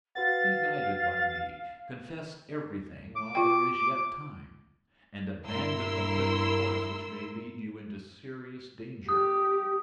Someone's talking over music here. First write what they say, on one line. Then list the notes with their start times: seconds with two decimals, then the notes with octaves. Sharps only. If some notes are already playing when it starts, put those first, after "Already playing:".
Be guided by me; confess everything, while there is yet time; and abandon the present course which may lead you into serious danger.
0.15 F#4 B4 F5 F#5 A6
3.16 D6
3.35 F4 G5
5.46 G2 E4 A#4 C6 E6
9.09 G4 D#6